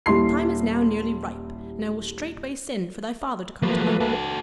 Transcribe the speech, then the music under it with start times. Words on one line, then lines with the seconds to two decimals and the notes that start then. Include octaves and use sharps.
The time is now nearly ripe, and I will straightway send for thy father to come to London.
0.06 D#1 G3 E4 C6 C7
3.62 F3 F#3 A3 A#3 B4
4.00 F#4 A4